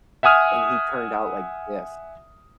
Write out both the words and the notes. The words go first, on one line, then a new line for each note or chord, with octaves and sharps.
And he turned out like this.
E5 F#5 G#5 D#6 F6